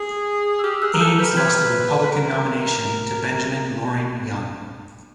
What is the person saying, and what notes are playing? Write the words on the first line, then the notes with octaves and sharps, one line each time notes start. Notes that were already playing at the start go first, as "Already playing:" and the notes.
Ames lost the Republican nomination to Benjamin Loring Young.
Already playing: G#4
E6
G4 D#6 F6
G#4 E6 F#6
A#4
A4 F6 G6
B4 F6 G6
B4 F#6 G#6
A#4